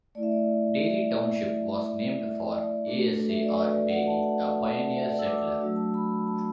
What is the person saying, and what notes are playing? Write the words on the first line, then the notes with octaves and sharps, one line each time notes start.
Dailey Township was named for Asa R. Dailey, a pioneer settler.
A3 E4 D5
E5
D5
D5
E5
E5
D5
A3 D4 F#4 A4
B4
A4
E5
D5
B4
B4
D5
F#5
F#5
A5
F#5
E5
D5
E6
D6
D6
F#3 A3 D4 F#4 E6
A5
B5
A5